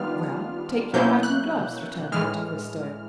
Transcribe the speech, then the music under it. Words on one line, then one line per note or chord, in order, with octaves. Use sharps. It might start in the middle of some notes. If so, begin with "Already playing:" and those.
"Well, take your hat and gloves," returned Monte Cristo.
Already playing: D#3 G3 B3 D4 F4 F6
B2 F#3 A#3 C#4 E4 G6
F#6
A2 E3 G#3 F6